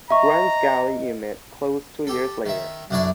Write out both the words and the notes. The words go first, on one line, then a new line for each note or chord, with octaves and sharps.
The Grimes Galley unit closed two years later.
D#5 E5 A#5 C#6
G4 A4
D#3 E5
B1 F#2 D4 E4 C#5 D5